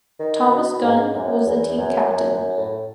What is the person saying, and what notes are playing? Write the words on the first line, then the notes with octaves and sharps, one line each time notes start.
Thomas Gunn was the team captain.
D#3
B2
G#2
F#2
E2
F#2
F#2
F#2
A2